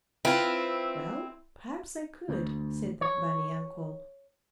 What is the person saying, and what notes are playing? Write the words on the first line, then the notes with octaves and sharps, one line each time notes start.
"Well, perhaps I could," said the bunny uncle.
C4 E4 F4 B4
D2
C#5